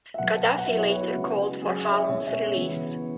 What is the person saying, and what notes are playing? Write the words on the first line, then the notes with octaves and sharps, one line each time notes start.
Gaddafi later called for Hallum's release.
E5
B2 F#3 B3 F#5
F#5
F#3 B3 E4 E5
C#5
B4
F#4
C#3 G#3 C#4 E4
F#3 C#4 E4 G#4
E5
C#5
E5
B2 G#3 C#4
E5
C#5
C#3 E3 B3 E4